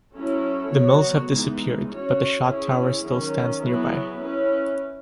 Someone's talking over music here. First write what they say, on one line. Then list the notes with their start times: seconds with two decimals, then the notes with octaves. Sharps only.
The mills have disappeared, but the Shot Tower still stands nearby.
0.14 F#3 C#4 E4 A4
0.72 F#3 B3 F#4 C#5
1.30 E3 G#3 B3 D#4
1.88 C#4 F#4 C#5
2.46 C#4 E4 G#4
3.04 D#3 F#3 C#4
3.61 F#3 B3 E4 G#4 B4
4.19 C#4 E4 B4